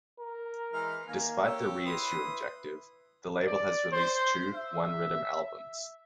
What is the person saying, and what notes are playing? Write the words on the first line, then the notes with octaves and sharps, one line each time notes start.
Despite the reissue objective, the label has released two one-riddim albums.
A#4
E3 G#3 F6
D#3 A#3 A#4 G#5
G4 C#5 E6
E4 B4 C6 D#6
D5
C5
E5